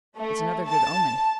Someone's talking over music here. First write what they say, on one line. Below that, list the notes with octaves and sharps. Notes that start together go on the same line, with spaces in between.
It's another good omen.
A3
A5